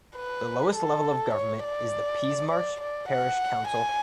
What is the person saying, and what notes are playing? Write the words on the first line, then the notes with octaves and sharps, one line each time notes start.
The lowest level of government is the Peasmarsh parish council.
B4
A4
C#5
D5
D5
D5
F#5
G#5